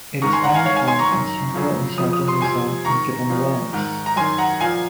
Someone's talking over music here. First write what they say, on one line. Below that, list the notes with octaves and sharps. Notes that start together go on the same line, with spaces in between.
It is only found in Central and Southern Luzon and Catanduanes.
G#2 D#3 A#5 C#6
G#5 C6
F#5 A#5
F5 G#5
G#2 D#3 C#5 F5
F5 G#5
G#5 C6
A#5 C#6
F#2 D#3
F#2 C#3 F3
F2 C#3 F3 D#6
D#6
C6 D#6
F2 C3 F3 G#5 C6
G#2 D#3 A#5 C#6
A#2 F3
G#2 D#3
A#5
F#2 D#3 G#5 C6
F#5 A#5
A#2 F3 F5 G#5